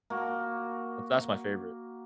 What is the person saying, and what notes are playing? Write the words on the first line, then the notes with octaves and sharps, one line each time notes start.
th that's my favorite.
A#3 F#4